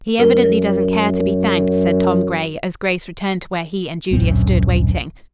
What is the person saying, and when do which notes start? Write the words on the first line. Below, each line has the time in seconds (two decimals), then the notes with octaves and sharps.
"He evidently doesn't care to be thanked," said Tom Gray as Grace returned to where he and Julia stood waiting.
0.20 F#2 A#4
4.11 D1 A#1 F#2 C4